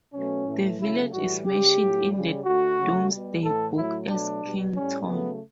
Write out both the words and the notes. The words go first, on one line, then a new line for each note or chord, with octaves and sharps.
The village is mentioned in the Domesday Book as "Kington".
B2 F#3 A3 C#4
A2 E3 A3
C#3 F#3 A3 E4
A2 E3 G3 F#4
C#3 G3 G4
A2 F#3 A3
C#3 G3
D3 A3 F#4
C#3 F#3 A3
B2 G3
A2 E3 A3 A4
A2 F#3 A3 E4
B2 F#3 A3 D4
B2 G3
A2 G3 C#4
C#3 F#3 A3 B3